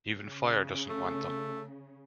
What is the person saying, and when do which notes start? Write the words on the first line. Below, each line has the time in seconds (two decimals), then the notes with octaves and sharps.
Even fire doesn't want them.
0.12 C#3
0.89 A3